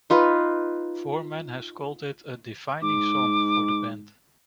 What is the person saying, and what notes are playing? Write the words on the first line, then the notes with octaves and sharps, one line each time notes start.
Foreman has called it "a defining song" for the band.
D#4 F4 B4
G#2 D6